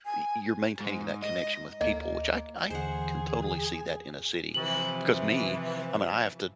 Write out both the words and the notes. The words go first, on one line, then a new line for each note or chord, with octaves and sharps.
y you're maintaining that connection with people, which I c I can totally see that in a city, because me, I mean, I have to
G#5
G#2
D#5
D2 A#3 A4 D#5
D#2 D3 E3 G#4 C5 F#5
C3 E3 F3 F#7